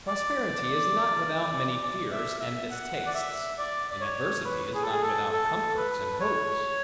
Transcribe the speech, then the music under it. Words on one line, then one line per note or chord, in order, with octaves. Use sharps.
Prosperity is not without many fears and distastes; and adversity is not without comforts and hopes.
D5
D5
E5
E5
F#5
D5
E5
D5
D5
C#5
B4
G#4
A4
G#4
A4
A4
B4
C#5